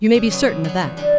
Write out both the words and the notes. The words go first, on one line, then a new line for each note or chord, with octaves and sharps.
You may be certain of that.
C#3
F#3 B3
C#3
F#3 B3
E2
C#3 G3 D4